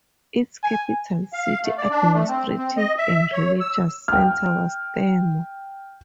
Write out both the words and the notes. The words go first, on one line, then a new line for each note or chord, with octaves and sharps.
Its capital city, administrative and religious center was Thermo.
G#5
F5
A3
D5
D4
A3
C4
C4
D#5
E5
C#5
E6
G5 F6